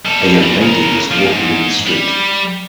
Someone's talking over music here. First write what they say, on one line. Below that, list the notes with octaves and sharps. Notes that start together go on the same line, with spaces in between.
A young lady is walking in the street.
G3 A4
G3 C4
C#3 A#4
F3 A#3
G#2
G3